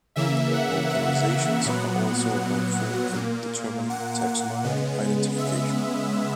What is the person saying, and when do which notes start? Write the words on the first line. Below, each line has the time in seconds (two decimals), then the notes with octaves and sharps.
Vocalizations are also helpful in determining taxonomic identification.
0.16 C#3 E3 A#3 E5
0.54 F#5
0.90 F#5
1.66 A#2 F#3 B3
3.15 A#2 A#3
3.90 F#5
4.27 F#5
4.64 C#3 G#3 B3
5.38 E5